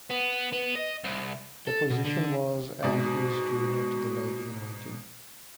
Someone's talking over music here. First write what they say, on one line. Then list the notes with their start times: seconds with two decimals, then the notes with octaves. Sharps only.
The position was and is junior to the lady-in-waiting.
0.11 B3
0.52 B3
0.75 D#5
1.04 C2
1.67 A4
1.90 B2
2.05 D3
2.83 G#2 B2 F#4 D5